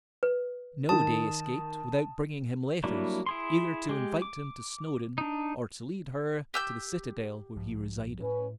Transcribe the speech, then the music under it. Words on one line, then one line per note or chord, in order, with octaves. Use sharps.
No day escaped without bringing him letters, either to invite him to Snawdoun or to lead her to the citadel, where he resided.
B4
D#3 A5 D#6
F#3 G3 A#3 D4 E4
E4 G#4 C6
G#3 G4
D6
D4 D#4
G4 E6 G6
B1 G#2 F3
A2 C#4 B4